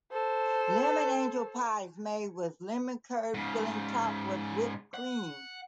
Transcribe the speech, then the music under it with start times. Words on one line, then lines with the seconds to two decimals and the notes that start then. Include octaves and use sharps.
Lemon angel pie is made with lemon curd filling topped with whipped cream.
0.12 A4 C5
3.34 G#2 C#3
4.94 F#5